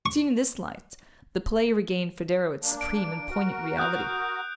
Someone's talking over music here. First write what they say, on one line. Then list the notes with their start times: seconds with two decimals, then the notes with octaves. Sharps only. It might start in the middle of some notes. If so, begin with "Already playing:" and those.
Seen in this light, the play regained for Darrow its supreme and poignant reality.
0.06 C#6
2.62 A#3 D4
2.81 D7
3.30 F#4 A#4
3.77 D#6 F#6 G6